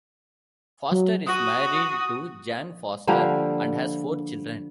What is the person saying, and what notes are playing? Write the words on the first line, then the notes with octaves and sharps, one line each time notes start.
Foster is married to Jan Foster and has four children.
F#3
F#4 D#6
D3 F3 G3 A#3